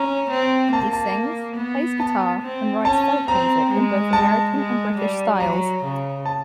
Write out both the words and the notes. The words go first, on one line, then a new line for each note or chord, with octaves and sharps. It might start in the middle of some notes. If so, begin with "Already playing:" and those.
He sings, plays guitar, and writes folk music in both American and British styles.
Already playing: C#4 A#5
C4
A#3 A5
A5
B3
A5
C4
C#4 A5
C4 A#5
G#3
A5
G#3
G3
F#3 A#5
C#3
A5